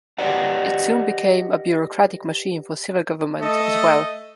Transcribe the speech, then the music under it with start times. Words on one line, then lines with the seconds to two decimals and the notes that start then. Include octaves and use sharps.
It soon became a bureaucratic machine for civil government as well.
0.18 G4 B4 D5 D#5 F#5
3.40 A3 A4 D#5